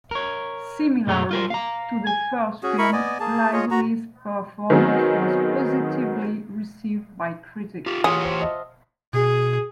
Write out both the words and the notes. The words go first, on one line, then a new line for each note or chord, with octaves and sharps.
Similarly to the first film, Lively's performance was positively received by critics.
A#4 C#5
B1 F#2 A3 G#4 A#5
F4 A#4 C5
F5 A#5
G#5
C#4 F#4 G#4
E4 A#4 B5 C#6
B3 D5 D#5 G#5
A#3 G#4 A5
F4 G#4 C#5 D#5
F#4 A#5
D#3 F#3 B3 C4 D#4 G#4
F4 G4
E3 F4 G4 G#4 C#5 F#5
C5
D#5 E5 A5
B2 G#4